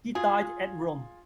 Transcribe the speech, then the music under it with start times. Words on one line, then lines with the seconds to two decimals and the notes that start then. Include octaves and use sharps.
He died at Rome.
0.15 F4 G#4